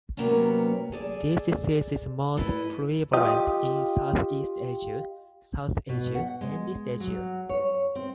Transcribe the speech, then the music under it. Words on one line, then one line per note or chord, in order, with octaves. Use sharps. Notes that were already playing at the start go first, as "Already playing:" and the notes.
This disease is most prevalent in Southeast Asia, South Asia and East Asia.
C3 F#3 A#3 B3 C#4
G#4 A4 D5
E4 A4 B4 D#5
F4 G4 D#5
B2
F#5
G#3
F#3
C#5
C4